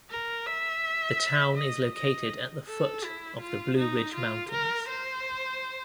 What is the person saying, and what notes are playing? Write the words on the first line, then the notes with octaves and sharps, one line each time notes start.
The town is located at the foot of the Blue Ridge Mountains.
A#4
E5
D#5
D#5
A4
E4
F4
D#4
F4
A#4
C5